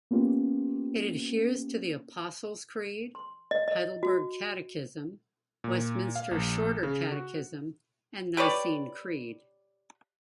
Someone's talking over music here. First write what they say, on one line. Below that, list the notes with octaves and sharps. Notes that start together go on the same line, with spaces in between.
It adheres to the Apostles Creed, Heidelberg Catechism, Westminster Shorter Catechism and Nicene Creed.
A#3 B3 C#4 F4 G4
C6
D#5
D#5
F#4
A#2
F5
A#1
C#3
F#4
G4 B4 C#5 D5